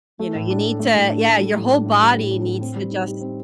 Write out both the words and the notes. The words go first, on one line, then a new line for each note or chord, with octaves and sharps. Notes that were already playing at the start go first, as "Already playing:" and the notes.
You know, you need to Yeah your whole body needs to just,
A3
A2
D4
A4
A3
A2
D4
A4
G3
A2
D4
A2
G3
A2
D4
A2
C4
G3
D#4
G4
C4